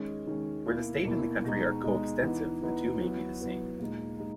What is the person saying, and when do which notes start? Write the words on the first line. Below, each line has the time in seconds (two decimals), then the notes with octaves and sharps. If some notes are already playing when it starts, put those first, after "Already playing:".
Where the state and the country are co-extensive, the two may be the same.
Already playing: D#3 G#3 C#4
0.27 D#3 G#3 C#4
0.66 B2 A#3 E4
1.05 B2 A#3 E4
1.44 B2 G#3 D#4
1.83 B2 G#3 D#4
2.22 E3 B3 D#4
2.62 E3 B3 D#4
3.02 F#3 B3 E4
3.40 F#3 B3 E4
3.79 A#2 G#3 D#4
4.19 G#3 D#4